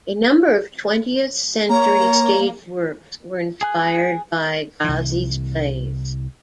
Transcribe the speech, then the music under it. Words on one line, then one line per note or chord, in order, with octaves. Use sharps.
A number of twentieth-century stage works were inspired by Gozzi's plays.
A#3 C#5 A#5
G#4 G#5 F#6
C2 E3